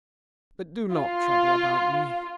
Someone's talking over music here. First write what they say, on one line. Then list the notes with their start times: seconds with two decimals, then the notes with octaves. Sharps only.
But do not trouble about me.
0.93 F4